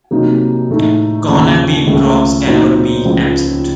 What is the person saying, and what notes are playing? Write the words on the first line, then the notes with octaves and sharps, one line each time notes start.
Corn and Bean crops can not be absent.
C3 F#3 A#3 D#4
A2 A3 D#4
D#2 C#3 F3
C#2 C#3 A3
A#2 F#3 C4 D#4
C#2 C#3 F3